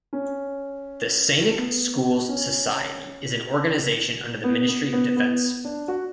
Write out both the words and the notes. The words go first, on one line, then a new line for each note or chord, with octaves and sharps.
The Sainik Schools Society is an organization under the Ministry of Defence.
C#4
B3
C#4
B3
B3
B3
B3
D4
F#4